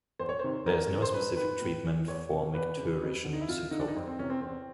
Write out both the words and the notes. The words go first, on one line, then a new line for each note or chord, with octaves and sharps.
There is no specific treatment for micturition syncope.
E2 C5
C#5
C3 D#3 C5
E2 A#4
C#3 E3
C5
G2 B4
D#3 B4
A2
E3
E2 C#5
B2
E2 B4
C#3 E3
F2
D3
D#4
E4
F2 F4
D3 D#4
D4
D#4
F2 C4
C4
C3 E3 C#4
C4
E2 C4